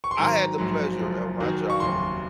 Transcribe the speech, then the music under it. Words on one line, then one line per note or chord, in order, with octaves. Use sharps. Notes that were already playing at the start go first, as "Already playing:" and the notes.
I had the pleasure at my job
C#6
C6
G#1 G#2 D#3 F#3 A#5
A#1 G#2 F#3
F#1 F#2 F3
F#1 F#2 D#3 F#3
C#6
F1 D#2 C#3 F#3 C6